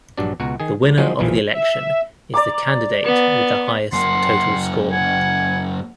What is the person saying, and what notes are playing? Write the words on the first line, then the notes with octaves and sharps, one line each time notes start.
The winner of the election is the candidate with the highest total score.
A#1 G2 F#3 D4 D5
C#2 B2 F#4 F#5 A#5
D#3 G#4
C#2 D5
F3 F#3 G#3 A#3 D#4 C5
B1 E2 A#2 E3 F3
E5
D5 A#5 D6
B3
F#2 A#3 F#5 C6
F#5 G#5